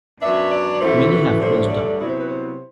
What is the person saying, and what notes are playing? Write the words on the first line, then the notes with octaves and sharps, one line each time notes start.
Many have closed down.
F#2 F#3 B3 D4 E5
D5
F#2 E3 A3 E4 C5
B4
G2 D3 F#3 A3 C5
D5
C3 F#3 B3 E4 D5
C5
B4
C5